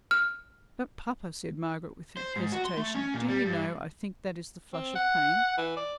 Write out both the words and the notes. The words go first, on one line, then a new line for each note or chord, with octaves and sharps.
'But, papa,' said Margaret, with hesitation, 'do you know, I think that is the flush of pain.'
F6
C5
G#2
F#4
C6
A3
C#4
A#2
G3
G2
C4
F#5
E3
D5